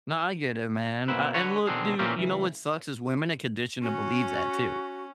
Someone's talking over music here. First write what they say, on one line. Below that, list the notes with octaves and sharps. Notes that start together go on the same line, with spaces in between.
Nah, I get it man, uh, and look, dude, you know what sucks is women are conditioned to believe that, too.
B2 A#3 C4 E4 B4
D3 F#4 B4 C#5
B2 D3 D#3 C4 D4 G#4
A#2 E3 A#3 C4 C#4 G4
C#2 E3
C#4 F#4